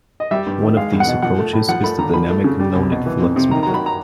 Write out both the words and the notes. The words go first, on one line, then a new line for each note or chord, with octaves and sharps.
One of these approaches is the dynamic no-net-flux method.
D#5
G3 E5
G2
D#3
G#3 F5
E2
F#5
B2
F3 F#5
A3
A2
F3 F#5
A3 B5
D3 A#5
F3 B5
A3
C#3
G3
C2
B2
E3
F2
C3
D#3 A#5
F#3 A#5
B5
A#5